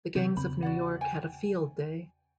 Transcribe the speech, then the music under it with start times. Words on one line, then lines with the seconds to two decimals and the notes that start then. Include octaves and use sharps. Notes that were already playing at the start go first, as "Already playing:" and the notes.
The gangs of New York had a field day.
0.15 C3 E3 C4 G4 C#5
0.37 E2 C#3 C4 B5
0.63 F#4 D5 F#5
1.01 G5 G#5